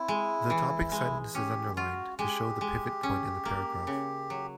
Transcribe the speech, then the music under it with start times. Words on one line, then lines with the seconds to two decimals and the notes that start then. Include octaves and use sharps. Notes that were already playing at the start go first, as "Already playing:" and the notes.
The topic sentence is underlined, to show the pivot point in the paragraph.
Already playing: C4 E4
0.08 G#3
0.50 E3
0.92 G#3
1.34 C#4 G4
1.76 F4 F#4
2.19 G#3 G4
2.61 G#3
3.03 C#4
3.45 A#3
3.87 C#3
4.30 F#3